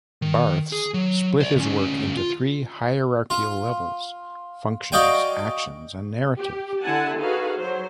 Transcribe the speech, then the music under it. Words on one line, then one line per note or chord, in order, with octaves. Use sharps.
Barthes split this work into three hierarchical levels: 'functions', 'actions' and 'narrative'.
D#3
G#4
F#3
C5 D5
D2 C#4
F4
F4
F#4 D5 D#5 F5 G5 G#5
G4
D3 E4 F#5 G#5 A5
D#4 F#4 G#4 A4 B4 F5
F#3 C5